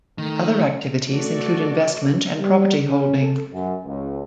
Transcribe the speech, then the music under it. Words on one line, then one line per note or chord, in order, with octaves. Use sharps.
Other activities include investment and property holding.
D#3 A3
A3 F#4 A4 D5
G3
C#4
A4
F#2
C#2